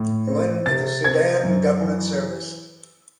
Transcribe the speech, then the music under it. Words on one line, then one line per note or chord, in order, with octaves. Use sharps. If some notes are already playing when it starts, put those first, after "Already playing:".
He went into the Sudan Government Service.
Already playing: A2
C4
C3 A6
C4 G#6
F#2
E3